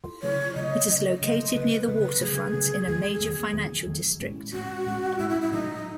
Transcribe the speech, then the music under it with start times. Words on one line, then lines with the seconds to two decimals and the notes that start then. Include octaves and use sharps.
It is located near the waterfront, in a major financial district.
0.22 C#3 F#3 A3 C#5
0.55 C#3 F#3 A3 D#5
0.88 C#3 F#3 A3 D#5
1.05 D#5
1.21 C#3 F#3 A3
1.54 C#3 F#3 A3 B4
1.88 C#3 F#3 A3
2.21 C#3 F#3 A3 G#4
2.53 C#3 F#3 A3
2.87 E2 D#3 F#3 A3 G#4
3.21 E2 D#3 F#3 A3
3.53 E2 D#3 F#3 A3
3.86 E2 D#3 F#3 A3
4.20 A2 G#3 C#4
4.53 A2 G#3 C#4 F#4
4.86 A2 G#3 C#4
5.19 A2 G#3 C#4 E4
5.30 E4
5.41 E4
5.52 A2 F#3 A3 D#4